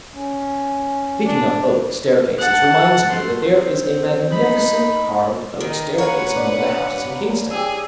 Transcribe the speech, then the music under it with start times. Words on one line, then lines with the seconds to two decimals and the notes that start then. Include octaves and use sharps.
Speaking of oak staircases reminds me that there is a magnificent carved oak staircase in one of the houses in Kingston.
0.14 C#4
1.26 D4
2.37 F#5 A5
3.09 A3 C6
3.50 C4
4.31 D#4 B5
5.60 D#3 D#4
5.98 B4 C#5 F5 F#5 A#5
6.36 D4
7.51 G4 G#4 E6